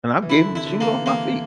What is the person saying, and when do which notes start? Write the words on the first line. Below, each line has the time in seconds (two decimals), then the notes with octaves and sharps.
and I've gave 'em the shoes off my feet,
0.22 E3
0.30 D3 E4
0.53 C3 E4
0.66 D3
0.80 E3 A#3
1.06 E3 A#3